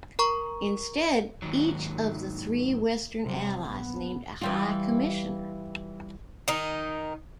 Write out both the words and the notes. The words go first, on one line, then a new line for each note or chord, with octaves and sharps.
Instead each of the three Western allies named a High Commissioner.
A#4 A#5 C#6
D#2 G#2 D#3 F#3
C3 F#3 G3
A#1 B3
E3 G3 F4
D#3 D#4